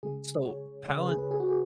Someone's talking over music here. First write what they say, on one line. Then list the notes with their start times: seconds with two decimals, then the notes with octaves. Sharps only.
So, Palant
0.03 C#3 G#3 G#4
0.46 C#5
0.88 C#3 G#3 C#5
0.98 B4
1.08 G#4
1.18 B4
1.31 G#4
1.40 F#4
1.48 G#4